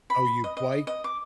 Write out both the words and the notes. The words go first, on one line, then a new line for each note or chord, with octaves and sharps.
Oh, you bi
B5
D#5
D#5
D#5
D6